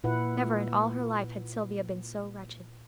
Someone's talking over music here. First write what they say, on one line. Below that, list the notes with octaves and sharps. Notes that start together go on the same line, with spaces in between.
Never in all her life had Sylvia been so wretched.
A#2 E4 B4 F#5